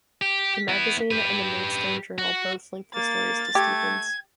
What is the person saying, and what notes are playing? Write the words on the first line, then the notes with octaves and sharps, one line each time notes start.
The magazine and the "Maidstone Journal" both linked the story to Stevens.
G4
B3 E4
G4 B4
F#4
A#3 A6
A3 G4 G#6